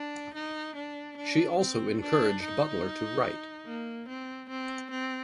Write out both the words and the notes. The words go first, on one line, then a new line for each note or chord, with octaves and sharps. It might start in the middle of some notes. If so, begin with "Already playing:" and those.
She also encouraged Butler to write.
Already playing: D4
D#4
D4
D4
C4
D4
D#4
A#3
C4
C4
C4